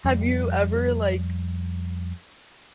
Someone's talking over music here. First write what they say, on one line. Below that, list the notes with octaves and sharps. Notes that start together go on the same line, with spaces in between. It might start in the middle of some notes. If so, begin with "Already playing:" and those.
Have you ever, like,
F2 G3